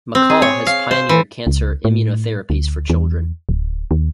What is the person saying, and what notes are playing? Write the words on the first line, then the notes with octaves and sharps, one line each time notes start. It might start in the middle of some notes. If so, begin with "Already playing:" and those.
Mackall has pioneered cancer immunotherapies for children.
C4
G#4
C#5
F5
C5
E3
C#2
A2
D2
E2
D1
D#2